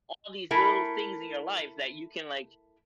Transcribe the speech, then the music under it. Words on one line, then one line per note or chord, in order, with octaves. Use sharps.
all these little things in your life that you can, like,
A3 E4 A#4 G#5